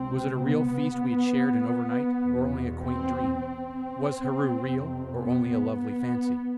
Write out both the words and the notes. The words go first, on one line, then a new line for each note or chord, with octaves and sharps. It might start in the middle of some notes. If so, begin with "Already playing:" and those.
Was it a real feast we had shared in overnight, or only a quaint dream? Was Heru real or only a lovely fancy?
Already playing: C#2 C3 C4
B3
E2 B2
C4
C4
F2 C3
B3
B3